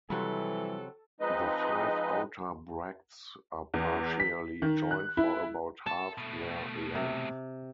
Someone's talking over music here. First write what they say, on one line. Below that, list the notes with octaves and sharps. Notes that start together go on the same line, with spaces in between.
The five outer bracts are partially joined for about half their length.
F2 C3 E3 F#3 G3 A4
F3 G#3 C4 D#4 B4 D#5
E2
B6
D#3
F#6
E4
A4 A5
B2 A3
C3